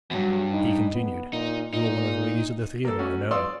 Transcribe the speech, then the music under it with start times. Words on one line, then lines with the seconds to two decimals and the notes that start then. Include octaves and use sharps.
He continued, 'You are one of the ladies of the theatre, I know.
0.11 E2 G2 F#3
0.54 D#4
0.95 B3
1.33 A#2 D#4
1.74 A#2 D#4
2.85 A#3 A4
2.99 A3 C#4 F#4
3.31 C#5 D5 F5 C6 D#6 E6